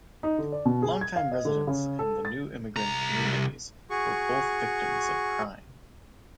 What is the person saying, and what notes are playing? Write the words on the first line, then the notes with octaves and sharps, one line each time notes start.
Long-time residents and the new immigrant communities were both victims of crime.
D#4
D3
D5
B2
G#4
G#6
F5
D#5
D3
C#3
A4
A6
C2 A#5
F#4 G#4 C#6